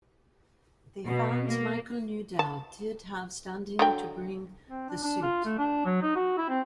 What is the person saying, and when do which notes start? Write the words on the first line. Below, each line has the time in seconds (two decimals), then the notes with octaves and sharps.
They found Michael Newdow "did" have standing to bring the suit.
1.06 B2
1.46 A#3
2.39 A5
3.79 D3 F#3 G5
4.69 C4
4.89 D4
5.03 D4
5.22 F4
5.45 A3
5.58 D4
5.85 F#3
6.02 D#4
6.15 F#4
6.38 E4
6.49 C4